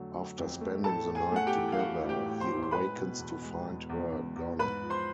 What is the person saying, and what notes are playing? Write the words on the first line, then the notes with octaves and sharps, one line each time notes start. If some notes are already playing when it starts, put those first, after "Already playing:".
After spending the night together, he awakens to find her gone.
Already playing: F2 D3 F#3 A3
F#3
F2
A3
A2 A4 A5
A3
G#4 G#5
A3 F#5
G4 G5
E3
F5
E3 F#4 F#5
A2
G4 G5
A2
C5 C6
A2
C6
G#3 B4 B5
B2
E2
G#3
E2
E2
E2
E2
G#2 B4 B5
F3
C5 C6